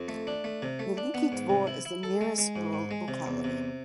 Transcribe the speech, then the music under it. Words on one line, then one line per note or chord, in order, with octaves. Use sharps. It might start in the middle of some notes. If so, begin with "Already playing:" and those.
Veliky Dvor is the nearest rural locality.
Already playing: F2
A3
D4
A3
C3
A3
D4
B3
G#2
C3
E4
E4
A4
G#3
G#3
G#2
G#2
G#3
C3
E2
C3